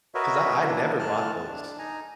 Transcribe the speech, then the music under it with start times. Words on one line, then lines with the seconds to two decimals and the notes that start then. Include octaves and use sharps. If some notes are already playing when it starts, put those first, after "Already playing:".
'Cause I I never bought those.
0.15 F#4 A#4 B4 C#5 D#5 E5
0.62 D#3 F#3 A#3 D4 E4
0.99 A2 E3 A3 A5 F6 F#6
1.47 D4
1.79 D#4 G#5 A#5